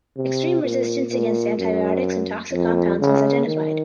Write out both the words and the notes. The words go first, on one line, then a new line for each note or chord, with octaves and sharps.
Extreme resistance against antibiotics and toxic compounds was identified.
C3
A#2
A#2
F#2
F2
C#3
D#3